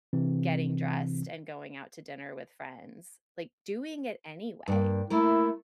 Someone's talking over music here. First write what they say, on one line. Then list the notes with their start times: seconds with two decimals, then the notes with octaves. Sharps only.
getting dressed and going out to dinner with friends, like, doing it anyway,
0.13 C3 E3 C4
4.68 G2 A#3
5.10 A3 A#3 E4 A#4